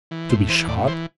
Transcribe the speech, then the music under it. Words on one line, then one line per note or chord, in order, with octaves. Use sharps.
To be shot?
E3
A2 C5
E3 C5
A2 D5
E3 C5